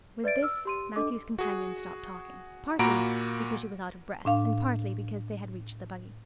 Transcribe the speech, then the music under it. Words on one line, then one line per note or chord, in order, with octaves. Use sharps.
With this Matthew's companion stopped talking, partly because she was out of breath and partly because they had reached the buggy.
B4 D5 E5 A6 D7
E6 F6
G4 C6 D#7
D4 A4 D#5 D6
F#4 G#4
A#2 A#3 F#4 A#5 B5 D7
A2 D4 F5